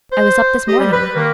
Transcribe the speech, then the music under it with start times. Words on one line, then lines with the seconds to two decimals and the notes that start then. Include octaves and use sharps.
"I was up this morning."
0.12 C5
0.67 G4 D#5
0.79 G3
0.92 B4
1.15 D#3 A#3